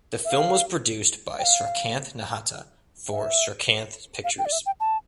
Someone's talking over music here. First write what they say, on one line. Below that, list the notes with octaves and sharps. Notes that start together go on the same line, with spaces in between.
The film was produced by Srikanth Nahata for Srikanth Pictures.
E5
F5
G5
F5
E5
F5
G5
D5
E5
G5
A5